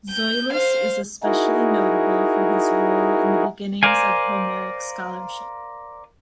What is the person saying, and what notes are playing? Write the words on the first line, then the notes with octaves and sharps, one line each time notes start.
Zoilus is especially notable for his role in the beginnings of Homeric scholarship.
G6
C5 F5
D#4 E4 F#4 G#4 A#4
A#4 C5 D5 F5 G#5